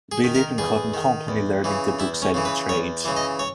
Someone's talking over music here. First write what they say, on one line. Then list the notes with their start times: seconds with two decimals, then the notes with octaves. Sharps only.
B. Lippincott and Company, learning the bookselling trade.
0.12 G#4
0.24 D#3
0.35 A#4
0.58 E2 G#4
0.94 D#3
1.28 E2
1.64 C#3 E3
1.99 E2 E4
2.22 C#4
2.34 C#3 E3
2.45 B4
2.69 E2 C#5
3.05 C#3 E3
3.16 D#5
3.39 C#5